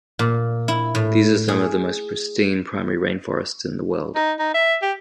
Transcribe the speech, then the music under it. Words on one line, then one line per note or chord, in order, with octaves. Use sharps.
These are some of the most pristine primary rain forests in the world.
A#2
E4
A2
G#4
D#4
D#4
E5
G4